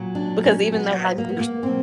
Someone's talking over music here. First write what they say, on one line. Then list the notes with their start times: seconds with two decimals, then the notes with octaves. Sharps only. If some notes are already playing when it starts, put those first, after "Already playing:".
because even though I used
Already playing: A#2 F#3
0.15 D4
0.45 C#4
0.74 B3
1.18 A#3
1.29 B3
1.40 A#3
1.62 B2 F#3 C4